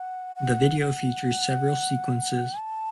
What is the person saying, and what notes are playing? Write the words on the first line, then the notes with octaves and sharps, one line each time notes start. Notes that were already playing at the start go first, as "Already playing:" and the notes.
The video features several sequences.
Already playing: F#5
F#5
F#5
A5